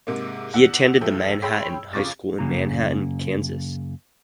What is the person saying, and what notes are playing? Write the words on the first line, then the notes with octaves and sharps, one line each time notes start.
He attended the Manhattan High School in Manhattan, Kansas.
G#2 C3 G#3 A#3
E2 F#5 E6 C#7 F#7
F1 F3 A3 G5 E6
G#4 C#5 G5 B5 C6 E6
F2 C#3 F4 C#6 D6 A6
F#2 C#3 A#3 G#4 A#5